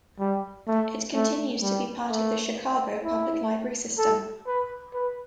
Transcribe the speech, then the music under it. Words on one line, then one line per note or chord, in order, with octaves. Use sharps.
It continues to be part of the Chicago Public Library system.
G3
A3
A3
G3
A3
E4
A4
B4
B4